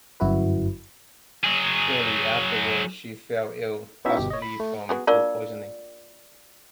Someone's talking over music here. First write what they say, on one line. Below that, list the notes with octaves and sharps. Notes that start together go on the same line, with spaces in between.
Shortly afterward, she fell ill, possibly from food poisoning.
G1 F#2 E4 F#4 B4
F#3 G#4
B3 C#4 D#4 E4 F#4 E5
G1 B2 G4
C#5 D#5
B5
A3
B3 F#4 G#4
A#3 D4 F4 F#4 A#4 D5